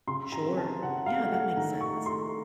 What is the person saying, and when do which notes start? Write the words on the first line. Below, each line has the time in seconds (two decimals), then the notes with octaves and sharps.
Sure. Yeah, that makes sense.
0.07 C#3 C6
0.32 A#5
0.45 C4
0.57 A5
0.82 C#3 F#5
0.97 F#5
1.06 F5
1.19 A3
1.32 F#5
1.57 D#3 A#5
1.81 C#6
1.94 A3
2.06 C6